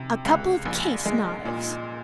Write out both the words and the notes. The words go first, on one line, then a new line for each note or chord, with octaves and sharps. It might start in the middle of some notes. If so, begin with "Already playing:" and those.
"A couple of case-knives."
Already playing: C3
C#2
A#1
G#3
A#2